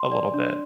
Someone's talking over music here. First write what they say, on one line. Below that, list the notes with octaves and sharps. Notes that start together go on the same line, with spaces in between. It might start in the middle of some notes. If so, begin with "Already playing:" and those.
a little bit,
Already playing: C6
D5
D4